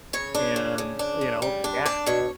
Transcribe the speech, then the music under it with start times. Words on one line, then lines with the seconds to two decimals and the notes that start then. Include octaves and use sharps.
and, you know, ga
0.13 C#3 C#5
0.35 D4
0.56 C#3
0.78 C#3
0.99 D4
1.21 C#3
1.42 G3
1.64 D4
1.86 D4 D5
2.06 B2 C#5